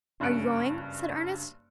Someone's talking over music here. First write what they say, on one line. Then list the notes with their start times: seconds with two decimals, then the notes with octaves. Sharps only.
"Are you going?" said Ernest.
0.20 F#1 G2 C#4 F#6 C#7 D7